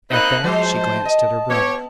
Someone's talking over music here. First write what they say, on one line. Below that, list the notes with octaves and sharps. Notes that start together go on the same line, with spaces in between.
At that, she glanced at her brother.
A#3 C4 D#4 B5 F#6
F3 G#3 C5 A5
D#5
B3 G4 C#5